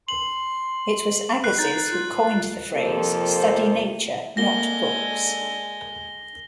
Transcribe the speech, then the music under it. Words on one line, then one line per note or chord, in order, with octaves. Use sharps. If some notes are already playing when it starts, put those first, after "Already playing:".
It was Agassiz who coined the phrase, Study nature, not books.
C6 F#7
B4 F#6 C7
D#4 A6
F4
F2 C3 F3 A#3 A4 C5
D3 G#3 A#3 C4 F#4 A#6 G7